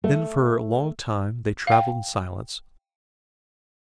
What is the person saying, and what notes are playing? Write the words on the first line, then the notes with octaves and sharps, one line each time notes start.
Then for a long time they traveled in silence.
A3
F5 G5